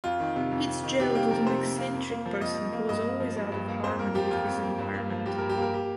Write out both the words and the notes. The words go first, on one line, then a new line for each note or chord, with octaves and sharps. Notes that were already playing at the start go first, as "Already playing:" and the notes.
Fitzgerald was an eccentric person who was always out of harmony with his environment.
F2 F4
D#3
C3
F2
F2
D#3
C3 G4
A#3 G4
F3 A#4
C3 C5
C3
A#3
F2
A#3
F3
F2 D#5
F2
A#3
G2 D#5
A#3
F3
G2
G2
A#3
F2 C5
A#3 A#4
F3 G4
F2 F4
F2
A#3
G2
A#3
F3
G2 G4
G2 A#4
G4
A#3 A#4
G4